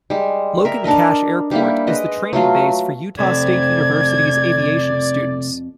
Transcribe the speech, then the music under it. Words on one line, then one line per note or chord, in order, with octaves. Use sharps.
Logan-Cache Airport is the training base for Utah State University's aviation students.
G3 G#3
A#4 E5
D4 A4 A#4 D#5
G3 A#3 E4
G#3 B4 D#5
F#3 A3 F4
F2 C3 A3 C4 D5 G#6